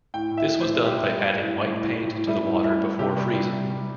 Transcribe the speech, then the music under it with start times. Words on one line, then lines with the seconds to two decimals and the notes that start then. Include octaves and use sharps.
This was done by adding white paint to the water before freezing.
0.14 A2 G5
0.31 A2
0.37 E5
0.49 A2
0.61 C5
0.67 A2
0.85 G3 G4
1.03 G3
1.21 G3
1.38 A2
1.56 A2
1.74 A2
1.92 A2
2.10 A2
2.27 G3 E4
2.46 A2
2.63 G3 E4
2.81 G3
2.99 C3 G4
3.17 G3
3.34 G3
3.52 C3
3.70 G3